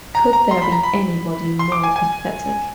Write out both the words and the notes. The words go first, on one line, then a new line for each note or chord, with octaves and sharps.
Could there be anybody more pathetic?
A#5
A#5
C6
B5
A#5
B5
C6
D6
G#5
G#5